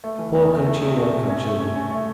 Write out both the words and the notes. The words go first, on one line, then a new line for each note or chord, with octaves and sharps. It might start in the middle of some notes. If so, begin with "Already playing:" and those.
Poor Concino Concini!
A3
E3
E2
A3
A3
C3
A3
C3
C#4
A3
C#4
C#4
A3